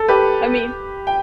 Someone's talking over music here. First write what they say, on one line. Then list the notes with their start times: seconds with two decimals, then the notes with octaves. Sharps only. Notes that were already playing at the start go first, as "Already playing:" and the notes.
I mean
Already playing: A4
0.08 G4 B4
1.07 G5